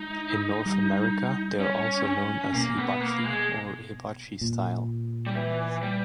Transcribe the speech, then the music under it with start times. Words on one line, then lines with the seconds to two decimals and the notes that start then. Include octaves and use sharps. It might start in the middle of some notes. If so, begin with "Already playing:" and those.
In North America, they are also known as "Hibachi" or "Hibachi-style".
Already playing: G#3 D#4
0.66 G3
1.60 C#4
2.07 C#4
2.53 B2 A#3
2.77 B3
3.00 A#3
3.24 G#3
4.41 A#2
5.26 G3
5.35 E3
5.82 G3